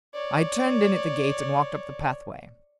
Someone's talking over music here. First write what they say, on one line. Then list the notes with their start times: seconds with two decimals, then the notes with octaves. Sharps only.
I turned in at the gate, and walked up the pathway.
0.14 C#5 D5